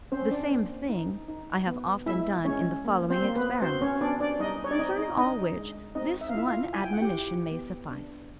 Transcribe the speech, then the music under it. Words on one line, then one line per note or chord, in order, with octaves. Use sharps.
The same Thing, I have often done in the following Experiments: Concerning all which, this one Admonition may suffice.
C4 C#4 C5
D4 D5
A#3
D#4
D#4
B3
G#3 E4 E5
G#3 C#4 C#5
A#3
C4 C5
A#3
B3 B4
C4 F#4 C5
C#4 C#5
B3 D4 D5
D4 D5
G3 D#4 D#5
C#5
D5
C4 D#4 D#5
D#4 D#5
D4 D#4 D#5
G#3
C4 D#4 D#5
E5
F5
E4 F4 E5
F4 F5
E4 G#5
G5
F#5
G4 G5
E4
B3
D4